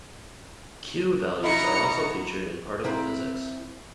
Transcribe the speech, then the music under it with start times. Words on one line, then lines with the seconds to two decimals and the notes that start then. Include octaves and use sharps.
"Q" values are also featured in particle physics.
1.43 B2 D#4 E4 A#5 C#7
2.84 C4 E4 A#4